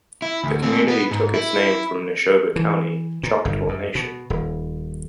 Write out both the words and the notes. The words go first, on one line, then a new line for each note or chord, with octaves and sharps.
The community took its name from Nashoba County, Choctaw Nation.
E4
D2
A3 C4
B3 B4
G#2
E4
E3
A#2
G1
F#2
B2
D#1